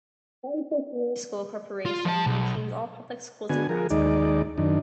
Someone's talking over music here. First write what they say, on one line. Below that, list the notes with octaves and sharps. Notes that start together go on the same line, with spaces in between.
Brownsburg Community School Corporation maintains all public schools in Brownsburg.
F4
F3 A5
B1
D3 B3 F#4 G#5
F3 G#4 A#4
D#2 G#3 D#4 D5
F#2 D#3 D4